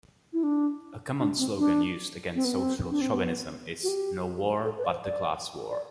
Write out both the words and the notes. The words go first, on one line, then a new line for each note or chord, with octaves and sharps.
A common slogan used against social-chauvinism is "No War but the Class War".
E4
D4
D4
C4
D4
C4
B3
C4
D4
C4
B3
F#4
G4
A4
B4
D5
C5
D5
D5